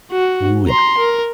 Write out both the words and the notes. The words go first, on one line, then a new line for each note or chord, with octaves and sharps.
Ooh, yeah.
F#4
A#5 C6
A#4